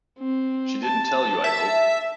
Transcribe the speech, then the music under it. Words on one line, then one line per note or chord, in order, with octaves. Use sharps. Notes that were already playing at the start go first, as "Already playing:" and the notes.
She didn't tell you, I hope?
C4
A5
E5